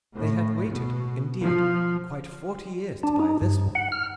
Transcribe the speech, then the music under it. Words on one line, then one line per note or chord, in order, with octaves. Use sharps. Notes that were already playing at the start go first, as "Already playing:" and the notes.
They had waited, indeed, quite forty years to buy this one.
A2
B2
F3
D4
D#4
G2
F#5
F6